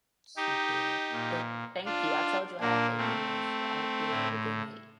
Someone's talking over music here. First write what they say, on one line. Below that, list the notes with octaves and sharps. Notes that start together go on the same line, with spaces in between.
She did, but thank you. I told you I have faith in this. I hope you have a good night.
D#4 G4
A#2
D4 F4
A#2 A#3 D4
A3 C4
A2